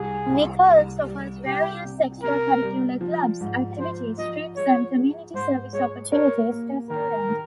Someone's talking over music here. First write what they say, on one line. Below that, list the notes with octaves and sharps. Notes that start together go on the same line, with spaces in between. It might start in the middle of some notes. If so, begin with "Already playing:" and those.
Nichols offers various extracurricular clubs, activities, trips and community service opportunities to students.
Already playing: C2 G#4
C2
C2
G3
C2 G4
C3
C3 A#4
G3
F3
G#2
F3 C5
F3 D#5
G#3 C#5
G#3
G#2 C5
G#3 C#5
A#4 C#5
A#3
D#3 A#4
D#3